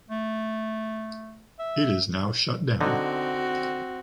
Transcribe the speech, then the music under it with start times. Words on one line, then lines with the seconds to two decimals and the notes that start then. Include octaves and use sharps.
It is now shut down.
0.09 A3
1.59 E5
2.81 D3 C4 D#4 F#4